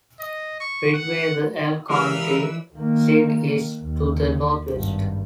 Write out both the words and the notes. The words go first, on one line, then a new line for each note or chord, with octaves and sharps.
Ridgway, the Elk County seat, is to the northwest.
D#5
C#6
F#5
E3 G#3 E4 G4 A#4 B4 F5 E6
D#3 A#3
D#2
G#1 G2